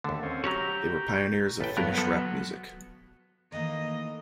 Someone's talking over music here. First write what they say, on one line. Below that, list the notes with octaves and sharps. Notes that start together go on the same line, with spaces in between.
They were pioneers of Finnish rap music.
D#2 D3 A3
C4 C#4
F#3 C#4 F#4 G4 C#5 A#5
A1 A4 B4 G5
G2 F#3 B3 A#4
F3 A4
D#3 E3 A3 A#3 D#5